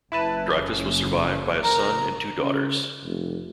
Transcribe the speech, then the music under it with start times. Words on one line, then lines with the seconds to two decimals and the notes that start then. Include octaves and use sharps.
Dreyfuss was survived by a son and two daughters.
0.12 F#1 C#3 C#4 E4 B4 A5
1.64 A#4 A#5
2.38 C#3
3.05 F1